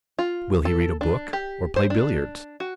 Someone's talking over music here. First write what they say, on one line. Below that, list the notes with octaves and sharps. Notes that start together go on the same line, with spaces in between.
Will he read a book or play billiards?
F4
A4
D4
G4
C5
D4
F#4